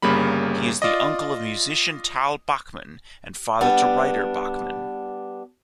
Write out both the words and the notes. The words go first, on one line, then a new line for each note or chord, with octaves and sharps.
He is the uncle of musician Tal Bachman and father to Ryder Bachman.
G1 C#3 G3 A#3 B5
F4 D5 D#5
G3 B3 D4